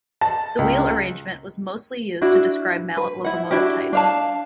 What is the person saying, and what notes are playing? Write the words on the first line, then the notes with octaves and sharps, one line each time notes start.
The wheel arrangement was mostly used to describe Mallet locomotive types.
A5
C#2
D4 E4 F#4
B4
E4 F#5
D4 E4 F#4 G4
D4 F5 A5